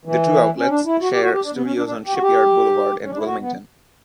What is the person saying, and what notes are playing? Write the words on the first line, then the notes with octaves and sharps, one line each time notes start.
The two outlets share studios on Shipyard Boulevard in Wilmington.
E3
C#4
D4
E4
F#4
G4
F#4
G4
D4
B3
C#4
D4
D4
G4
F#4
G4
C#4
D4
E4
F#4
B3